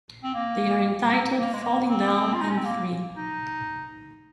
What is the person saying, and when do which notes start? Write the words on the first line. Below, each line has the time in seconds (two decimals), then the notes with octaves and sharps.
They are entitled "Falling Down" and "Free".
0.23 C4
0.35 A#3
1.11 C4
1.37 A#3
1.53 G#3
1.63 A#3
1.88 C4
2.33 F4
2.42 D#4
2.49 C#4
2.57 C4
2.65 A#3
3.16 D#4